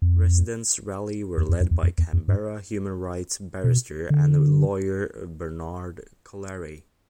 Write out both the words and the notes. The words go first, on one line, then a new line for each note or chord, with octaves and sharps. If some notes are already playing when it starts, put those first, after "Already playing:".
Residents Rally were led by Canberra human rights barrister and lawyer, Bernard Collaery.
F2
E2
F2
F2
E2
F2
E2
F2
G2
B2
D3